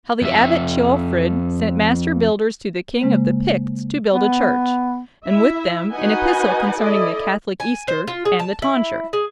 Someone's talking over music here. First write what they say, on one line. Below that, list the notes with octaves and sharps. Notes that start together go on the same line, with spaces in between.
How the Abbot Ceolfrid sent master-builders to the King of the Picts to build a church, and with them an epistle concerning the Catholic Easter and the Tonsure.
F2 E5
C#3 G#3 A#3 C5
B3
E4 E5
D#4 F#4 B4 D#5 F#5 G#5
E4 A4 D5 D#5
G#5
C5
F4
G#4
A5
E4
G#4